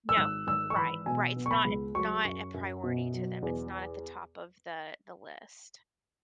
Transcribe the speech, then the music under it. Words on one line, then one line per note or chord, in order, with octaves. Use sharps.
No. Right, right. It's not it's not a priority to them. It's not at the top of the the list.
E6
G#1 F#6
G#1 E6
C#6
E3 B5
B2 G#5
B3
C#6
B5
C#2
F#3 C#6
F#2
F#2
B2
F#3
E2